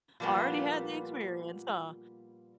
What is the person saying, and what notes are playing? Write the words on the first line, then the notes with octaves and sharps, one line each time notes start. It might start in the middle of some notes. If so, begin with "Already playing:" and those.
Already had the experience, huh?
A#2 F3 G3 A#3 B3